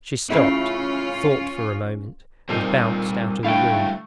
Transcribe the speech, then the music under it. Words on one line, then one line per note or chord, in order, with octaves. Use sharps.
She stopped, thought for a moment, and bounced out of the room.
C#3 A3 C#4 E4 F4
A#2 G3 C4 D#4 A4 C5 C7
D3 F#3 G3 A3 E4 F5 G5